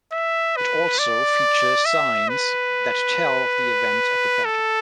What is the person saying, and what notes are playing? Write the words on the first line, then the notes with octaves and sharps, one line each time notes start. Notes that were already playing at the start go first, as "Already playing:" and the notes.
It also features signs that tell of the events at the battle.
E5
B4
D5
E5
B4
A4